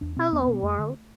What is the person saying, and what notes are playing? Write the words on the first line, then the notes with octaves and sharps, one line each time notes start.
Hello world.
E2 D4
B2 C4
E2 B3
B3
B2
B3
F2 A3
D3